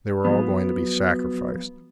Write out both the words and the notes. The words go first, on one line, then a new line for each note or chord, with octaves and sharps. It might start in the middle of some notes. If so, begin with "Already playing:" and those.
They were all going to be sacrificed.
F3 F#3 B3